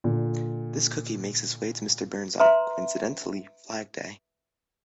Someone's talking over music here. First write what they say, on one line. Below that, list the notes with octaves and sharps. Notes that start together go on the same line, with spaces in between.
This cookie makes its way to Mr. Burns on, coincidentally, Flag Day.
A#2 D3
B4 E5 A#5 C6